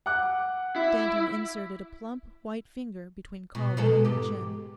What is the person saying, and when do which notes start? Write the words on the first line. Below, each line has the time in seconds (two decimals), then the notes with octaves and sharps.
Danton inserted a plump, white finger between collar and chin.
0.06 F#5 D6 F#6
0.76 E4
3.55 B2
3.77 B2 G#3 A4
4.05 G#2 G4